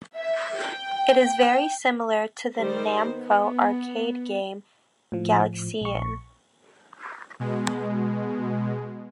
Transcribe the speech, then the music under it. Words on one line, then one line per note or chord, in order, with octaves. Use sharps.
It is very similar to the Namco arcade game "Galaxian".
E5
G5
D#3 G3 C5
B3
A2 F3
A#1 C#6
B2 G#3